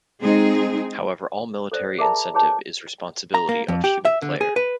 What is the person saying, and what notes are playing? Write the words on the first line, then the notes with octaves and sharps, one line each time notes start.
However all military incentive is responsibility of human player.
G#3 C4 D#4 G#4
A4 C5 D5
G#4 A#4 D5 E5 A5 A#5
E4 G#4 B4 C#5 A5 B5
A#5
A#3
F2
G4
E5
D3
G#4
B4